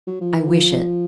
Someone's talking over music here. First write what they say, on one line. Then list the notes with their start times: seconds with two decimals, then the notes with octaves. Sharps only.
"I wish it."
0.07 F#3
0.21 F3
0.34 E3
0.48 F3